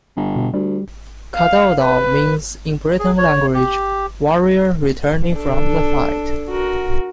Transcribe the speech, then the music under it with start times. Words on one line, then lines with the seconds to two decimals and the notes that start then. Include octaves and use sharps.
Cadoudal means in Breton language "warrior returning from the fight".
0.16 G1
0.36 B2
0.54 D2 G3
1.35 F5
1.81 B4
2.99 G#4
3.18 C#5
3.55 G4
5.33 D4 A4
6.49 F#4 A#4